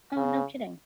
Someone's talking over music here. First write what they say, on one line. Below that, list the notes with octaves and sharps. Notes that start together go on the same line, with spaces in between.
Oh, no kidding.
C#3